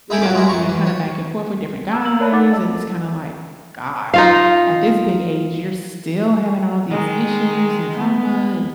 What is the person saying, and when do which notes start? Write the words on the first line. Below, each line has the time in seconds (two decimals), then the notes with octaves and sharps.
you know, and you're kinda back and forth with different guys, and it's kinda like, "Gosh, at this big age, you're still having all these issues and drama and
0.10 D#4 E4 G#4 A4 G5 G#5
0.21 F4 A#4 D6
0.35 G#3 D#4 E4 A#4
0.49 F#2 A#5 C#6
0.69 E3
0.86 C#5
1.93 A5 E6
2.05 E6 F#7
2.20 A#4 C#5 D5 A5 B5 F#6
2.32 D#4 F#5 D6 A6
2.52 D#5 A5 E6
4.14 D#4 F4 F5
6.90 D#3 G#3
7.97 B3